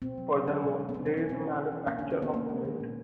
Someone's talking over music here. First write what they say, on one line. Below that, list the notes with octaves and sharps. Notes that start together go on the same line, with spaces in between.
Furthermore, there is a manufacture of cement.
B2 C4
F#3
F#3
G#3 C#4
B2
G#3
B3
B2 C4
C#4
B2
C#4
B2 C4
E3
E3
E3
A#3 C#4
D3 D4
C#4
D3 B3
G#3 A#3
G#3
D#3
A#2